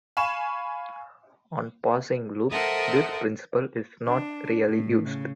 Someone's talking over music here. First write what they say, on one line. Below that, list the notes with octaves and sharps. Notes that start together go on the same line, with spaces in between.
On passing loops this principle is not really used.
F5 G#5 B5 C#6 E7
A4 A#4 C5 D#5 E5 F#5
D4
A2
C#3